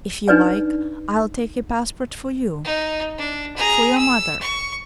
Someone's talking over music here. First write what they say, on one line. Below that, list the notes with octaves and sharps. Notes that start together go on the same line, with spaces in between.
If you like, I'll take a passport for you... for your mother....
D4 D#4 B4 D5 G#5
D#4
D4
G#4 A#5
E6
C#6